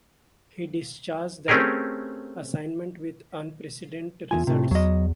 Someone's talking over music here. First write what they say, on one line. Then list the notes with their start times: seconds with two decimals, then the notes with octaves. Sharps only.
He discharged that assignment with unprecedented results.
1.48 A3 C4 C#4 G4 G#4 A#4
4.31 E2 F3 F4 G#5
4.47 A2 C3
4.71 E2 F#3 D#5